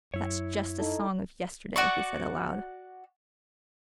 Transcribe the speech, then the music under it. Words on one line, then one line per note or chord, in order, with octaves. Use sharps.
"That's just a song of yesterday," he said aloud.
F#2 E4 C#5
D#4 A4
F#4 D5 C#6